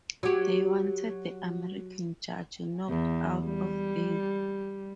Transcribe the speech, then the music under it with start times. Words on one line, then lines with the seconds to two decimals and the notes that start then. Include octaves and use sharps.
They wanted the American judge knocked out of there.
0.23 F#3 G4
2.89 E2
3.45 G3